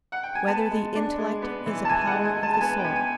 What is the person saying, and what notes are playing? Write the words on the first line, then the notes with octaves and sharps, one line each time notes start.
Whether the Intellect Is a Power of the Soul?
F#5
G5
G#5
B3 A5
G#3
D4
G#3
B3
E3
A5
E3 G#5
F#5
G#3
G#5
G#3
A5
A5
B3 G#5
G5
B3 G#5
G#5